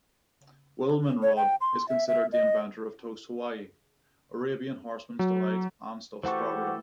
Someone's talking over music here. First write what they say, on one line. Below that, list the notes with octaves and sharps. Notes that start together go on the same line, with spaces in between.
Wilmenrod is considered the inventor of Toast Hawaii, "Arabian Horseman's Delight" and "stuffed strawberry".
C#5
G5
C6
E5
E5
D#5
F#3
E3 A3 F#4 G4 A4 C5 F#5 C#6